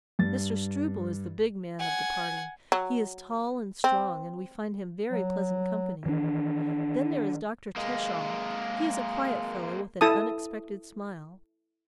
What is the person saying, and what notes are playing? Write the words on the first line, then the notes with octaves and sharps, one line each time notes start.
Mr. Struble is the big man of the party; he is tall and strong and we find him very pleasant company. Then there is Dr. Teschall; he is a quiet fellow with an unexpected smile.
G2 A6
F#5 G#5
F#3
C4
F#3
D#3 E3 C4 D4
G#3 A#3
E4 A4 A5 D#6